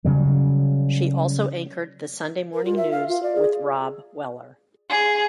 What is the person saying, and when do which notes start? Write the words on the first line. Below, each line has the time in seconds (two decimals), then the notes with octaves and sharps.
She also anchored the Sunday morning news with Robb Weller.
0.05 C#3 F#3 G3
2.53 A#4
2.65 F4
2.77 E5
2.92 F5
3.08 F4
3.23 D5
3.35 G#4
4.90 G#4